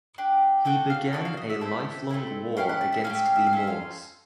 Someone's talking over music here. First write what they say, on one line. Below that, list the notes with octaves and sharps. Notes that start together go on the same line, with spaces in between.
He began a lifelong war against the Moors.
D4 G4
D4 F#4 A4 G5
F5
D4 F#4 A4 D#5
F5
D#5
E5
A3 C4 E4 A4
A3 C4 E4 A4
C#4 E4 G4 F5
F#5
A5
E5
C#4 E4 F5
G4
E5
F5
E5
F5
C#4 F4 A4 E5
F5